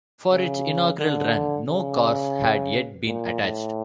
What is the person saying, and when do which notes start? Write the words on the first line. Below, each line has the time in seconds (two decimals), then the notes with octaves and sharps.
For its inaugural run, no cars had yet been attached.
0.31 C#3
1.00 D3
1.69 C#3
3.06 A#2
3.42 A2